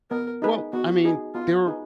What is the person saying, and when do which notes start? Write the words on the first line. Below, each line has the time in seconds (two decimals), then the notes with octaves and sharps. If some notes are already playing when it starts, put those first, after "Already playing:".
Well, I mean, there
0.11 B3 A#4
0.42 D#4 G#4 B4
0.73 B3 F#4
1.04 D#4 G#4 B4
1.34 B3 F4
1.66 D#4 G#4 B4